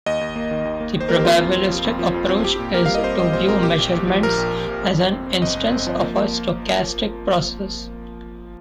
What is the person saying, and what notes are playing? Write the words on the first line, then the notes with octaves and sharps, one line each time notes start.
The probabilistic approach is to view measurements as an instance of a stochastic process.
D#2 D#5
D#2
A#3
D#3
D#2
A#3
D#3
C5
A#3 A#4
G4
C4 F4
F2
C4
F3
F2
F3
F2
C4
C4 G4
A#2
A#2 A#4
G3 F5
D#5
C4 C5
G3 D#5
A#2 C5
C4 A#4
A#2 G4
A#1
A#1
F3
A#1 A#4
A#1
A#1
A#1
F2
F2
C4
C4
G1 D#5
G1
C4
F3
A#3
A#3